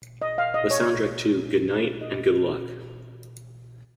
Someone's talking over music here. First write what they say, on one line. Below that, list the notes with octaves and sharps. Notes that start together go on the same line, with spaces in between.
The soundtrack to Good Night, and Good Luck.
D#5
F5
D#5
C#5
D#5